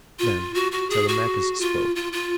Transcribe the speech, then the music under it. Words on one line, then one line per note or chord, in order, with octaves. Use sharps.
Then Telemachus spoke.
F4
F#4
F#4
G#4
F#4
F4
F4
F4